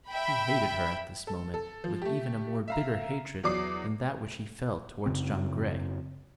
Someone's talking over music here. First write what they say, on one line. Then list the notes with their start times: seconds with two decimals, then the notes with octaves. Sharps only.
He hated her at this moment with even a more bitter hatred than that which he felt towards John Grey.
0.10 E5 G5 B5
1.27 A4
1.54 A4
1.84 F3
2.02 A3 G4
2.68 E5 F5 A#5
3.43 E2 F#3 D5 D6 D#6 C7
5.06 F#2 C#3 C4